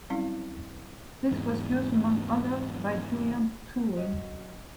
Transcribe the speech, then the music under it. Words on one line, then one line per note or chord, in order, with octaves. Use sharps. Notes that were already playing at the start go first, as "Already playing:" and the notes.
This was used among others by Julian Tuwim.
F#3 G3 C4 C#4 E4 F5
E2 G#2
F#3 C#4 F#4 D#5